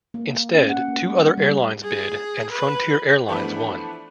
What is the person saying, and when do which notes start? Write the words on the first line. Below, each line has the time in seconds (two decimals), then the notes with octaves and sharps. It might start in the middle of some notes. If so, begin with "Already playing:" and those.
Instead, two other airlines bid and Frontier Airlines won.
0.14 A#3
0.53 C#4
0.69 F#5
0.88 A#3
1.02 G3
1.37 G3
1.83 G#4
2.52 B4
3.28 E3 F3 A3 B3 D4 B4